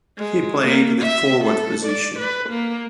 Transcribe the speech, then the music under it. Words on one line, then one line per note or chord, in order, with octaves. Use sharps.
He played the forward position.
G#3
A#3
E5
A4
D5
B4
A#3